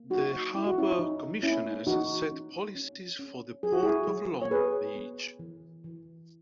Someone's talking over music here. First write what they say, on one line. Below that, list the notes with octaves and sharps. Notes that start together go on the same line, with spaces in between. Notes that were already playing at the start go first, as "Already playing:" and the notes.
The Harbor Commissioners set policies for the Port of Long Beach.
Already playing: A#3
F#3 D#4 F#4
C#4 E4
F#4
C#4 E4
E3 D#4
A#3 C#4 E4
E3 D#4 F#4
C#4
C#4
C#4
F#3 G#4
F#4
E4 G#4
F#3
C#5
B3 G#4 B4
B3
E3
E3